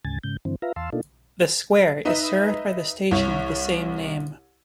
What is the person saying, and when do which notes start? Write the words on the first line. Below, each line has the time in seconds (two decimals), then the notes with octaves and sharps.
The square is served by the station with the same name.
0.05 D2 G#2 C#3 G#5 A6
0.23 G#2 C#3 G6
0.45 G2 D3 E3 C4
0.62 F4 B4 E5 F5 A#5
0.76 E2 F5 A5 C6 E6
0.93 B2 A#3 D4 D#4 F4 A4
2.05 D#4 B4 D#5 E5
3.11 C2 E4 C#5